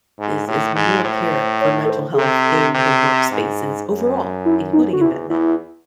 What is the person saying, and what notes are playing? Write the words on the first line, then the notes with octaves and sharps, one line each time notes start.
is is more care for mental health in the workspaces overall, including in vet med.
G#2
A2
G#2
A2 C5
C5
C#5
A4
C5
G#4
C3 A4
C3
G#2
F#2
E4
D#4
F#4
E2 E4
E2 E4